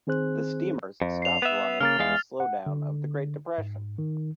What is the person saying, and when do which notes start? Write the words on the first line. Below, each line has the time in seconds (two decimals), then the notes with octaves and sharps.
The Steamers stopped running in the slow down of the Great Depression.
0.07 D#3 C4 G#4 C5 F#6
1.02 F2
1.22 C7 F7
1.42 B3 E5
1.81 C#3 A#3 F6 A6
1.99 E2 G#3 F5
2.40 F#5
2.66 D3
3.58 G#2
3.98 D#3